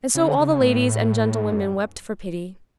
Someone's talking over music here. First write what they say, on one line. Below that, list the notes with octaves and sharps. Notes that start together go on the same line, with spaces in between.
And so all the ladies and gentlewomen wept for pity.
C#3
D3
C#3
A2
G#2
F#2